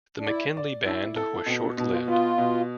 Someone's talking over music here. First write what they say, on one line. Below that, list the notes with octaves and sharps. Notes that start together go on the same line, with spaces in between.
The McKinley band was short-lived.
D4
E4 D5
D5
D4 E4
C4
C4 A4
B3
B2 C4
D4
B2 D4
F4
B3 F4
B2